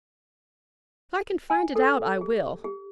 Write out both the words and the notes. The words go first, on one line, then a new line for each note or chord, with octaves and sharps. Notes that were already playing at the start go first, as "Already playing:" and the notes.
'If I can find it out, I will.
G#5
A4
G4
G4